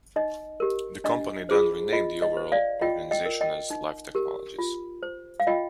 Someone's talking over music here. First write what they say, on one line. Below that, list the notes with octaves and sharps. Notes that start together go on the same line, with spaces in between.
The company then renamed the overall organization as Life Technologies.
D#4 D#5
G4 A#4
D4 D#5
F4 G#4 C5
F4 D#5
D#5
C5
D5 F5
F4 D#5 G5
D#5 G5
A#4
D#5 G5
D#4
G4 A#4
F4
C5
F5
F4 D#5 G5